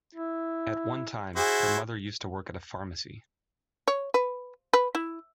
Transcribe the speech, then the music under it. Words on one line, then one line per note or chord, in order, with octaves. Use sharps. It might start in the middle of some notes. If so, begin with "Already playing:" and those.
At one time, her mother used to work at a pharmacy.
E4
E4 F#4 G#4 C5
C#5
B4
B4
E4